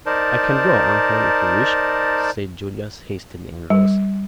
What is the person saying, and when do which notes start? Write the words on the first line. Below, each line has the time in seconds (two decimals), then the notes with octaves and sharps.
"I can go, uncle, if you wish," said Julius, hastily, and rose.
0.06 D#4 A#4 C5 D5 A5
3.70 G3